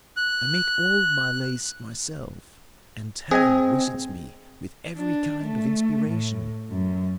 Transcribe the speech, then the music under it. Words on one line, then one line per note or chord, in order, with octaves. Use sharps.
I make all my lays myself, and heaven visits me with every kind of inspiration.
F#6
C4 G#4 D#5 G#5
D4
A3
A2
F#2